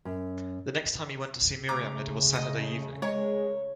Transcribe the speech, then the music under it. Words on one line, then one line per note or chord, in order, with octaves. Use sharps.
The next time he went to see Miriam it was Saturday evening.
F#2
C#3 A3 A#5 D6
D#5 D#6
G#3 A#4 C#5